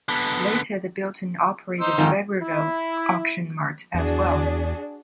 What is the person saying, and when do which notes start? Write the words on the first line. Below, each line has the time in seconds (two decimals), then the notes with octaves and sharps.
Later they built and operated the Vegreville Auction Mart as well.
0.09 D3 B3
1.80 D#4 C5 E6
1.98 F2 G#2 D#3
2.42 E4
3.94 E2 D4 F#4 G#4